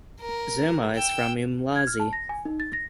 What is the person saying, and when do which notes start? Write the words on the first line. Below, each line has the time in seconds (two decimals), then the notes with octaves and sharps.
Zuma is from Umlazi.
0.21 A#4
0.95 G5 E6
1.76 G#6
1.87 F6
2.00 A5
2.13 A#6
2.29 G#5
2.45 D#4
2.60 A6
2.73 A#6